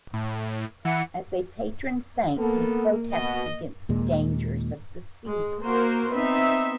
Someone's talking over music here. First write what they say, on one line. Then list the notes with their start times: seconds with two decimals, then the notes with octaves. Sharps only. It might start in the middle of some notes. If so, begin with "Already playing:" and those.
As a patron saint, he protects against the dangers of the sea.
0.14 A2
0.85 E3 E5 F#5 B5
2.38 A#3 B3 A4
3.12 B2 D#5
3.89 D#2 A#2 G#3
5.29 G#3
5.62 A#3 F#4 A#4 C5
6.12 B3 C4 D#4 E5